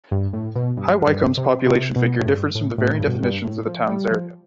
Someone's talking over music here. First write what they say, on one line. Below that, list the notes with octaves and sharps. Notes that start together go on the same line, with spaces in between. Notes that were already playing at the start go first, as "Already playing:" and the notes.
High Wycombe's population figure differs with the varying definitions of the town's area.
G2
A2
B2
G2
G2
C3
C3
B2
A2
G2
A2
A2
A2
G2
B2
A2
G2
A2
F3
G3
F3